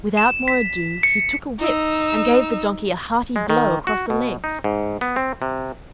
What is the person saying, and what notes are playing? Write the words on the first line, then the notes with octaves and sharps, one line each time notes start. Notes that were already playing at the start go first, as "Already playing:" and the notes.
Without more ado, he took a whip and gave the Donkey a hearty blow across the legs.
E7
B6
C#7
D#4 E6
G#3
D#3
F#4
B2
D#4
G#2
B3
C4
C3